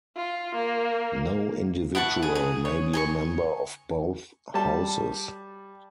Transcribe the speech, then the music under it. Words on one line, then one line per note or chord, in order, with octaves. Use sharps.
No individual may be a member of both Houses.
F4
A#3
E4 F#5 A5 C#6
G#4
G#4
C#5
G#5 A#5 C#6
G3 A5